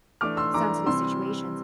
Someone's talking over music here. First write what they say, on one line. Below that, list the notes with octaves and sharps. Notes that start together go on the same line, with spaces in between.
sensitive situations.
E3 A3 D4 D6 F6
C6 E6
E3 A3 D4 A#5 D6
C3 E3 G3 C4 C6 E6